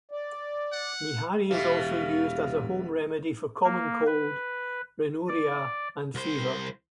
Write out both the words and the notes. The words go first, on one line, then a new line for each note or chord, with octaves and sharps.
Nihari is also used as a home remedy for Common cold, Rhinorrhea and Fever.
D5
F#5
E1 B2 E3 G4 E5 F5
A#3
B4
D5
C2 C5